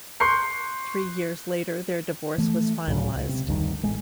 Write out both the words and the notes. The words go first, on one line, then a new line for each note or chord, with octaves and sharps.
Three years later, their divorce was finalized.
C6 C#6 F#6 G6 C7 C#7
E3 A3
C#2 A2 C#3 F#3
C#2
C3
F1 D2 G2 D#3
A1 G#3